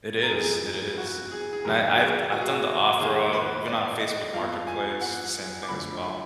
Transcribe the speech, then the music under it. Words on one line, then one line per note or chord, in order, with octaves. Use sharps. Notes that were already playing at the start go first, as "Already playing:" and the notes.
It is. It is. And I I've d I've done the OfferUp, even on Facebook marketplace, same thing as well.
A#4
F1 F2 F3 G#3 B3 G#4
F#4
G#4
G#4
F#1 F#2 D#3 A#4
F#4
G#4
F#4
G#4
F#4
F2 D#3 A#3 G#4
B4
D5
D#5
F2 F3 B3 F5
G#5
F#5
D6
D2 D3 F3 B5
B5